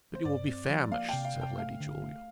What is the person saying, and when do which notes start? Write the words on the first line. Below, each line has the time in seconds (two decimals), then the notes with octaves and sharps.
"But you will be famished," said Lady Julia.
0.15 C5
0.25 G2 D5
0.48 C4
0.69 F3
0.92 A#3 F5
1.09 G5
1.13 C3
1.25 F5
1.36 C3
1.41 G5
1.58 A3 F5
1.80 D3
2.02 A3